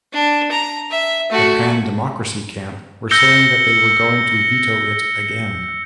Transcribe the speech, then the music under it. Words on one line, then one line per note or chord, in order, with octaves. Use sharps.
The pan-democracy camp were saying they were going to veto it again.
D4
A#5
E5
A3 F#4
E6 G6 A#6 C#7 G7